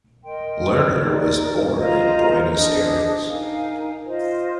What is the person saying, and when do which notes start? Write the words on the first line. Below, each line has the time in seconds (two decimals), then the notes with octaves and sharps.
Lerner was born in Buenos Aires.
0.24 A#4 D#5 G5 C6
1.00 D#4 A#4 D5
1.77 F4 C5 D#5 A#5
2.52 D4 G#4 C5 D#5
3.29 D#4 A#4 F5 G#5
4.05 F4 C5 D#5